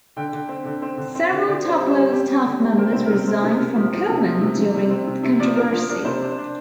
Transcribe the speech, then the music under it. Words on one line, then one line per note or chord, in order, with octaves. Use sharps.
Several top-level staff members resigned from Komen during the controversy.
D3 G5
D3
C4
D3
C4
D3
C4
D3
D3 D5
C4
C5
G3
C5
G3
G3 G4
G3
D3
G3
C4 A#4
C3 C5
A#4
C3
C4
C3
C3
F3
F3
C3
F3
C3
C3
C3
C4
C3
C3
F3 D5
D4 A#4
F3 A#4
D4 A#4
C3 C5
D4
D4